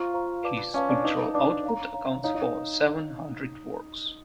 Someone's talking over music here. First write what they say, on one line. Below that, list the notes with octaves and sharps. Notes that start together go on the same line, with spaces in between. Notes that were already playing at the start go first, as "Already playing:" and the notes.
His sculptural output accounts for seven hundred works.
Already playing: F4 C5 F5 A#5 C#6
C5 F5 A#5 C#6
B4 D5 F5 A5 D6
C#4 B4 D5 F5 A5 D6
D4
D#4 B4 D5 F5 A5 D6
D4 B4 D5 F5 A5 D6
C#5 F5 A#5
C#5 F5 A#5
D#4 C#5 F5 A#5
D#4